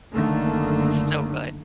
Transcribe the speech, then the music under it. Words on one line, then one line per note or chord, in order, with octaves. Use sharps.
So good.
F#1 D3 D#3 A3 A#3